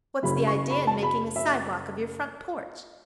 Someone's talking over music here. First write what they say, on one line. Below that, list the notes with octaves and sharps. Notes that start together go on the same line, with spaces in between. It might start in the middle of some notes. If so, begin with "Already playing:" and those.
What's the idea in making a sidewalk of your front porch?
F#1 F#2 C#3 F#3 B5
C#6
B5
A5
B5
E5